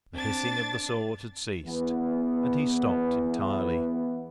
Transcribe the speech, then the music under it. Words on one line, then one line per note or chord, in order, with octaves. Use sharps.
The hissing of the sword had ceased, and he stopped entirely.
C4 D4 A6
E2 E3 B3